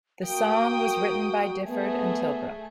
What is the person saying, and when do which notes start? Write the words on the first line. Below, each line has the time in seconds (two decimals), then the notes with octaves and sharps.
The song was written by Difford and Tilbrook.
0.25 A#3 F#4 G5 D#6
1.67 A3 B3 G#4